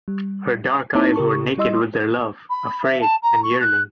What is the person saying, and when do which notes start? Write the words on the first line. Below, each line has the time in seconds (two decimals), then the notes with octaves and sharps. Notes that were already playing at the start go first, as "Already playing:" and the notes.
Her dark eyes were naked with their love, afraid, and yearning.
0.08 G3
0.95 A#3 C4 D#4 E4 C#5 A5
1.16 C#3 G4 A#4 C#6
1.58 G3 E4 D#5 C6 E6
2.49 B5
2.83 E5
3.00 A5
3.22 A#5
3.42 C#6
3.60 F#6